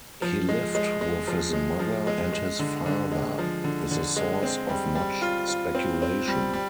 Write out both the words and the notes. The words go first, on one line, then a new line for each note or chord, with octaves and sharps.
He lived with his mother and his father is the source of much speculation.
F3
G#3
G#3
G#3
F3
G#3
F3
G#3
G#3
D3
D3
G#3
F3
D3
D3
G#3
C4
G3
G3
F4
F4
C4
C4
G3
G3